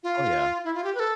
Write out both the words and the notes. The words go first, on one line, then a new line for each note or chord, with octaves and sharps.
Oh yeah.
F4
E4
F4
G4
B4
A4